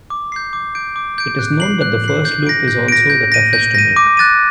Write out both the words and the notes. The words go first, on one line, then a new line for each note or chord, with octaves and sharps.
It is known that the first loop is also the toughest to make.
D6
G6 C7
D6
G6 D7
D6
G6 D7
F#6
C7 F#7
F#6
C7 F#7
G6
A#6 D7
G6
A#6 D7
G6
A#6 D#7
G6
A#6 D#7
D6
F#6 A6 D#7